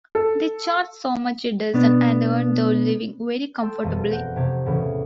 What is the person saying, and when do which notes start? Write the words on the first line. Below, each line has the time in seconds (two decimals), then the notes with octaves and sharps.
They charge so much a dozen, and earn their living very comfortably.
0.15 A4
1.74 B2 B3 D4
3.62 A4 G5 C6 E6
3.84 E1 F2 D#5
4.08 F#5 G6 A#6 D7
4.36 F1 C3 G4 G#6
4.66 E2 A2 C#3 E3